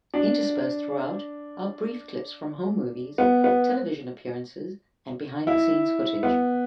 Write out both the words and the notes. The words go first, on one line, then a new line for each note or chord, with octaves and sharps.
Interspersed throughout are brief clips from home movies, television appearances and behind-the-scenes footage.
D4
B3
B3
E4
B3